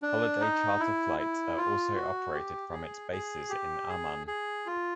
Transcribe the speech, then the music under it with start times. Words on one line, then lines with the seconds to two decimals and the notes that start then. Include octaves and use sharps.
Holiday Charter Flights are also operated from its bases in Amman.
0.02 D4
0.41 D#4
0.80 E4
1.19 E4
1.57 F4
1.96 F#4
2.34 G4
2.73 G#4
3.12 G#4
3.50 G4
3.89 G#4
4.27 G#4
4.66 F4